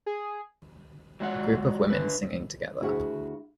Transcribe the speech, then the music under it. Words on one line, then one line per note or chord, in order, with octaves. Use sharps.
A group of women singing together.
G#4
F#3 G#3 F4 F#5
D3 B4
D2 E4 F#4 G#4 E5 F#5